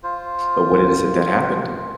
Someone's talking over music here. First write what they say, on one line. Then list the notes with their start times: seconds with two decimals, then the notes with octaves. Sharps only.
But what it is that happened?
0.03 F4 C5